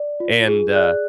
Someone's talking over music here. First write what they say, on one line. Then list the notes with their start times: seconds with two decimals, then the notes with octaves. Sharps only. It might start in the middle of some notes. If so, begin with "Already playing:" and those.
and, uh
Already playing: D5
0.20 F4
0.48 G#4
0.76 D5 F#6